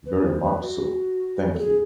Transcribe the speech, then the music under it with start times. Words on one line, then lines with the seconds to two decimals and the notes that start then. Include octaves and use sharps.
Very much so, thank you.
0.06 B4
0.25 C5
0.44 B4
0.63 F#4
1.53 A4
1.59 G#4